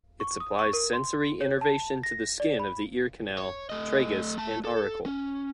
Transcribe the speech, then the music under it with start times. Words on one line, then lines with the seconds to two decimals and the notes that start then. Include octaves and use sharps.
It supplies sensory innervation to the skin of the ear canal, tragus, and auricle.
0.20 C#6
0.40 D#6
0.59 C#6
0.73 A#4
0.93 C6
1.41 C#5
1.61 A5
2.03 A#6
2.40 D5
2.59 B5
3.38 C#5
3.70 A3 D#5
4.38 A3 A5
4.65 A4
5.06 C#4